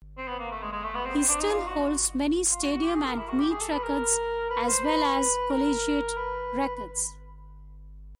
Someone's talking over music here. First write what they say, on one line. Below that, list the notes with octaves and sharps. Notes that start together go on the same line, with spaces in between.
He still holds many stadium and meet records, as well as Collegiate Records.
C4
B3
A#3
A3
G#3
G#3
A3
B3
C4
C4
D4
D#4
F4
F#4
F4
F#4
F#4
G4
G#4
A#4
E4
F#4
G4
G#4
A4
B4
A#4
B4
C5
B4
A#4
B4
B4